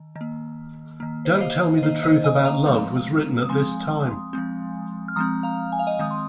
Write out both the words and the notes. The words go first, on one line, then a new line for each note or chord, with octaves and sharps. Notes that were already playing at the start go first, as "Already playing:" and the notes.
"Don't Tell Me the Truth About Love" was written at this time.
Already playing: D#3
D#3
A#3
D#3 A#3
C5
D#5
C5 F5
D#5
D#3 A#3 C5
D#5
D#5 G#5
F5 A#5
F3 G#3 C4
D#6
F3 G#3 C4 G#5 C6
F3 G#3 C4
F6
F3 G#3 C4 A#5 D#6
F5 A#5
G#5
F5
D#5 G#5
D#3 G#3 C4 D#6
C6